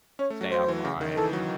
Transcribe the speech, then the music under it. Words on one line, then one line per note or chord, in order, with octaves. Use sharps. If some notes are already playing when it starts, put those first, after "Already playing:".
stay online," and
C#4 C#5
A3
F#3
F#3 C5
E3
C#3
D#3
D#3
E3 A4
F#3